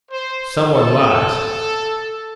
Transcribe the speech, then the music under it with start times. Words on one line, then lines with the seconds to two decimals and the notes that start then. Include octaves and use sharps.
Someone lies.
0.11 C5
0.74 A4